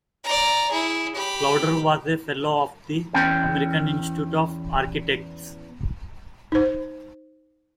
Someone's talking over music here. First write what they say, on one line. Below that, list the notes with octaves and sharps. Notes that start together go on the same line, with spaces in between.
Klauder was a Fellow of the American Institute of Architects.
D5 A#5
E4 G#4
G4 B5
E2 C#4 G5
D#4 C5